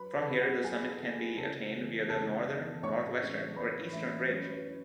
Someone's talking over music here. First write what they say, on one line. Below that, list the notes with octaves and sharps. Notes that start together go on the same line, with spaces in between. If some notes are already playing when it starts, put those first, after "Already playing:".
From here, the summit can be attained via the northern, northwestern or eastern ridge.
Already playing: F#3 B4 B5
A4 A5
B3 E4
F#4 F#5
F#3 G#4 G#5
B3 E4
C#3 A4 A5
E3 B3
C#3 A4 A5
E3 B3
A2 C#5 C#6
E3 A3 C#4
A2 B4 B5
E3 A3 C#4 E4 E5
F#3 C#4 C#5
B4
C#4 E4